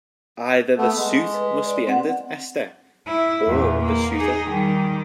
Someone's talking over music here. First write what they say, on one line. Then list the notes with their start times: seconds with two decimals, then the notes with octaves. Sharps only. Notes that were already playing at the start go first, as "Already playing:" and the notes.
Either the suit must be ended, Esther - or the suitor.
0.78 A3 B3
0.97 G#3
1.34 B4
1.66 D5
1.87 C4 F#5
3.07 E4
3.47 E2 A#2
3.85 A#3
4.15 D#4 G#4
4.50 D#3 G3